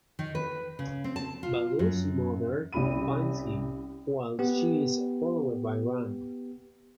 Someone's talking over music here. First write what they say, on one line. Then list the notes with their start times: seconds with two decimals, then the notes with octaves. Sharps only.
Ballu's mother finds him, while she is followed by Ram.
0.19 D#3
0.35 B4
0.79 C#3
1.04 C4
1.16 A5
1.43 F4
1.79 F#2
2.73 C2 C#4 G4 B5 D#7
4.39 B3 G4